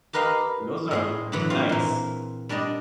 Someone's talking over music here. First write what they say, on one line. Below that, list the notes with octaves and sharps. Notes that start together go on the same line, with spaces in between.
Those are pris nice.
G4 A#4 B4 D#5 F5
A2 G#4 C6
D3 E3 F#3
C4 F4
A#2 E3
G3 D4 D5 D#5